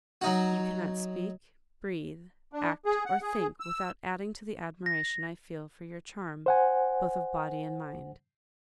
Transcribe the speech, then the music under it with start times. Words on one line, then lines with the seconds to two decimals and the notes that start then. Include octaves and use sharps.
You cannot speak, breathe, act, or think, without adding to the admiration I feel for your charm both of body and mind.
0.21 F#3 D#4 F#4
2.53 D4
2.85 G#4
3.06 F#5
3.22 G#4
3.60 E6
4.86 A#6
6.46 C5 F#5 G#5